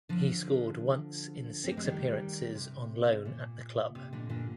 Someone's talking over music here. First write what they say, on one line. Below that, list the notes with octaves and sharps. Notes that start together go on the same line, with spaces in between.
He scored once in six appearances on loan at the club.
D3 F3
C4
A#3
G#3
D#3 G3
C3
A#2
C3
A#2 D3
A#2 D3